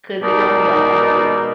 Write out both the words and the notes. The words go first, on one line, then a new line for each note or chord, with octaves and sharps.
'Cause it don't be authentic.
G#2 B2 D#4 A#4 D5